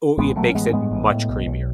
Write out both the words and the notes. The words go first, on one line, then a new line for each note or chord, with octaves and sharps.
ooh it makes it much creamier.
A1 G#3 B3
A1 F#3 A3
C#4
A1 G#3 B3
C#4
A2 G#3 B3
A1
A2
B1
B1